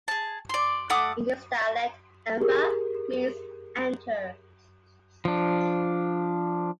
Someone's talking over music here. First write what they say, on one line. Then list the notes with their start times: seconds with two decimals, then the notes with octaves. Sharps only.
In this dialect "Emba" means "enter".
0.08 G#4 A5
0.49 D5 C6
0.90 A3 F#5 D6 D#6
2.40 G4 G#4 A#4
5.25 F3 D4